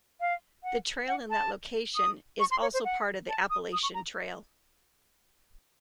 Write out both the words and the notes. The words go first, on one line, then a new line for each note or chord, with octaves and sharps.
The trail in that location is also part of the Appalachian Trail.
F5
F#5
F#5
A5
D#6
C#6
C6
C#5
C5
F#5
A5
D#6
D#6
C#6
A#5